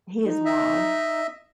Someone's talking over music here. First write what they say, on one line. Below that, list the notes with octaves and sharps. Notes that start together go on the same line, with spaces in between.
He is wild.
D#4
D#5 E5